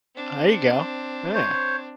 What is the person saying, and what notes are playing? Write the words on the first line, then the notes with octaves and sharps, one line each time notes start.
I you go. Yeah.
C4 D4
C5 C#5